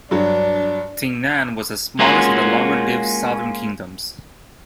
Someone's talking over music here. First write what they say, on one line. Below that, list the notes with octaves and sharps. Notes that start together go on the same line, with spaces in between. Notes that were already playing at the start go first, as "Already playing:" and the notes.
Jingnan was the smallest of the longer-lived southern kingdoms.
G2 F#3 D4
G#3 A#3 C#4 F4 F#4